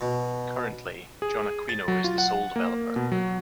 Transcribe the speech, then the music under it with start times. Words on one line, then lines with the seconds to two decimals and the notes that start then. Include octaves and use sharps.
Currently, Jon Aquino is the sole developer.
0.01 B2
1.22 G#4
1.69 A6
1.88 F#3
2.04 F4
2.18 F#5
2.56 A#3
2.96 B2
3.12 F#3